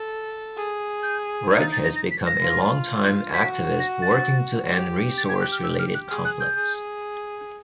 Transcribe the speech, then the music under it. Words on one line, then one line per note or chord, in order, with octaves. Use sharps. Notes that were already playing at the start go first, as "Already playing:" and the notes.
Wright has been a longtime activist working to end resource-related conflicts.
Already playing: A4
G#4
G6
D#4 G#6
A6
A6
A#6
A#6
B6
A#6
F4
F#4 B6
A#6
A6
G4
A6
G#6
F#6
F6
E6
F6
F#6
G#4 F6
F#6
G6
G#4